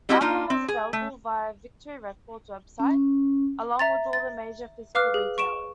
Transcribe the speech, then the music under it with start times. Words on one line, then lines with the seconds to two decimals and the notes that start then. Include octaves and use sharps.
Album was available via Victory Records website, along with all the major physical retailers.
0.09 G3 C4 E4 F#4 G4 D#5
0.21 A#3 D4 D#4 F4
0.50 C4
0.68 G#4
0.93 A3
2.80 C#4
3.79 E5 A#5 A6
4.13 A6
4.95 B4 F5 D6 F6 F#6
5.14 G#4
5.38 C#6 D7 E7